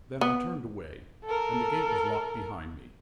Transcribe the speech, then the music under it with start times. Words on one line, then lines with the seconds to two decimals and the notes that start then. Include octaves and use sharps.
Then I turned away, and the gate was locked behind me.
0.21 B3
1.25 A4 A#4